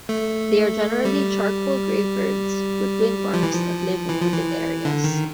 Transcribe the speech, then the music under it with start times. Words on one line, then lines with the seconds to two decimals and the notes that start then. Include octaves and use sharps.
They are generally charcoal-grey birds with wing bars that live in wooded areas.
0.09 A3
1.05 G3
3.34 F3
3.43 E3
3.53 F3
4.09 E3
4.21 F3
4.33 E3
4.85 D3
5.04 D#3